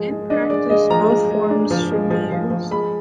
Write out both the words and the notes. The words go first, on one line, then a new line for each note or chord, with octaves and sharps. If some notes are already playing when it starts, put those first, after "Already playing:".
In practice, both forms should be used.
Already playing: F3 G#3
G#3
D4 D#5
G#3 D5
G#3 D#5
F3 A#5
G#3
G#3
D4
F3
G#3
F3
F3
F3
G#3 B5